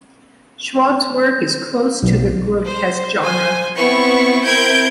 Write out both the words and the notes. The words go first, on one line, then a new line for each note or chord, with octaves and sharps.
Schwab's work is close to the grotesque genre.
B1
C5
C5 G#5
B3 C4 E4 C#6
C4 E4 A#4 G6 G#6 D7